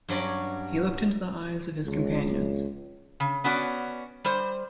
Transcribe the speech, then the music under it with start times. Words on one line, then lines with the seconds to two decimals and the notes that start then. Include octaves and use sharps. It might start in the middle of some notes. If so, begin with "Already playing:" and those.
He looked into the eyes of his companions.
0.09 G2 F#3 C#4 D5
1.84 C#2
3.20 C#3
3.44 B3 C#4 F#4 D5
4.24 G3 C5